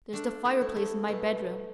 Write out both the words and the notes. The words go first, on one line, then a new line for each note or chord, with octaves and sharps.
There's the fireplace in my bedroom.
A3 D4
E4
A3
A3
B2 A3